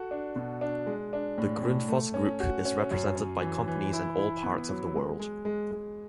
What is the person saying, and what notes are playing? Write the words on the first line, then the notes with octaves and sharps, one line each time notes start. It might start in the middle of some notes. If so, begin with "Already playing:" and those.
The Grundfos Group is represented by companies in all parts of the world.
Already playing: F#4 A4
D4
B2
D4
G#3
D4
A2
A2
A3
C#4
F#4
C#4
F#2
C#4
E3
E3
E4
E4
B3
F#3
G#3
G#3
G#3
G#3